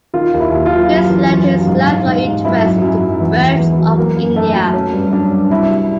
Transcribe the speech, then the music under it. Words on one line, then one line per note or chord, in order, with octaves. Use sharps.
This led to his lifelong interest in the birds of India.
D#3 F4
D#2
E4
D#2
F4
F#3
F#2
E3
F#2
F#2
G#2
G#2
G#2
G#2
F#2 E4
F#3
F#2
F#2
E2
E2
E2
F#3
F#3 A#3
F#2
D#3 A3
F#3
F#3 C#4
G2
F#3 D4
G2
C2 E4
C3